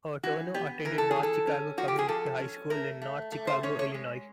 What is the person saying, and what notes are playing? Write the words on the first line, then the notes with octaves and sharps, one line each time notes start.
Turner attended North Chicago Community High School in North Chicago, Illinois.
E3 F#4
B3 G4
E3 A#4
A4
G#4
E3
A4
C#4
F3 F#4
G4
G#4
F3 A4
C#4
A3 A#4
A3
A3
C5
C#4 C#5
C#5
G#3